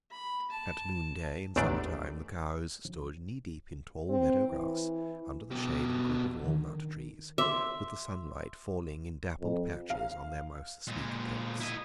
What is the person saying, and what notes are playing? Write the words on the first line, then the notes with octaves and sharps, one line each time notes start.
At noonday in summertime the cows stood knee-deep in tall meadow-grass under the shade of a group of walnut trees, with the sunlight falling in dappled patches on their mouse-sleek coats.
B5
A5
A1 E2 D#3 A3 D4 D5
C4
E3
B2 G4
D3 D#3
D#3
E5 C6 D6
F2
F5
A#2 G#3
E4 D#5